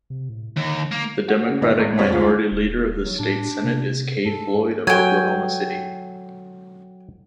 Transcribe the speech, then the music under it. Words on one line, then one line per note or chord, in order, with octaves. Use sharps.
The Democratic minority leader of the state senate is Kay Floyd of Oklahoma City.
C3
A2
D#2 D3
A#3
F#4
C#3 F#4
G1 A#2 D#3 D5 D#5
G#1 A2
F2 G3 C5 C#5 F#5 B6
D2 F4
D#1
F#3
A2 D4
C3
G#2 A4
F#3 A4 G5 G#5 G#6